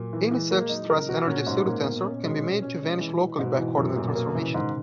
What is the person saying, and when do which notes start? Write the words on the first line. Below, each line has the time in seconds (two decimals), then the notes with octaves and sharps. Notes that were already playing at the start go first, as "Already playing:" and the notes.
Any such stress-energy pseudotensor can be made to vanish locally by a coordinate transformation.
Already playing: A#2 F#3 A#3
0.13 E3
0.31 E3 G#3
0.51 G#3 A#3
0.69 F#3 D#4
0.83 E3
0.90 A#4
0.95 C#3
1.09 B2 F#4
1.27 A#2 C#4
1.47 G#2
1.66 A#3
1.85 B2
2.05 C#4
2.23 B2 G#3
2.42 C#4
2.62 C#4
2.82 G#3
3.01 E3
3.20 E3
3.38 G#2 B2
3.58 E3
3.77 F#2 B2
3.96 F#2 A#2
4.15 B2 A#3
4.35 C#3 E3
4.54 G#2 D#3